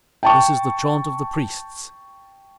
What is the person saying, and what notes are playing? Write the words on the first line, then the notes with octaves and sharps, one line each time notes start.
This is the chaunt of the Priests.
G5 A5 C#6